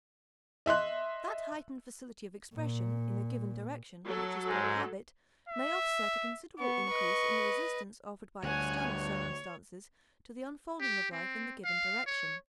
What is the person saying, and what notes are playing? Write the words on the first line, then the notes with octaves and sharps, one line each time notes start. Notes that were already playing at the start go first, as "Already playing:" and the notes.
That heightened facility of expression in a given direction which is called habit may offset a considerable increase in the resistance offered by external circumstances to the unfolding of life in the given direction.
D#5 E5 C6 F#6
A#2
F#3 A4
G#2 G#3
E5
B3 C#6
B4 D#5
D2 G2 C#5 F#5 G#5
C#5
G4
C4
F5
C#5